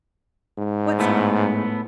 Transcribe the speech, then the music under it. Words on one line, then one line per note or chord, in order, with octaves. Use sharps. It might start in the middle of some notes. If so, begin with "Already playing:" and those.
What's up?
G#2
A2 A3 B3